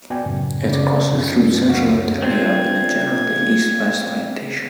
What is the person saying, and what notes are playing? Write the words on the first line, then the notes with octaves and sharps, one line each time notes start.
It crosses through central Ontario in a generally east-west orientation.
B3 F#4 D5 G5 G#5
F#2 A2 C#3
C#3 D5
F#2 B2 F3 C#4 D4
C#2 F#2 D4 F#4 F5
C4 D4 F4 G#6